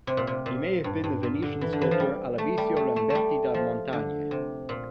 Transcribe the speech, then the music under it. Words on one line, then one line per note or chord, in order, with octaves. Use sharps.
He may have been the Venetian sculptor, Alevisio Lamberti da Montagne.
C3
A#2
C3
A#2
G2
G2
A#2
D3
E3
D3
E3
F3
G3
A3
G3
A3
A3
G3 A3
F3
D3
C3
A#2